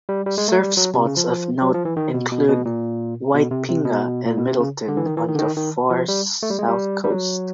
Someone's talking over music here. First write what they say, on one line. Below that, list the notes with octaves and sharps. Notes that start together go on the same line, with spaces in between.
Surf spots of note include Waitpinga and Middleton on the Far South Coast.
G3
G3
G#3
A3
G3
F#3
C3
C#3
F3
F#3
F3
E3
D#3
B2
B2
B2
A#2
B2
C3
C3
B2
A#2
B2
C3
C#3
D3
E3
D#3
E3
D#3
D3
D#3
D#3
F3
G3
A3
G3
G#3
G3
G3
F#3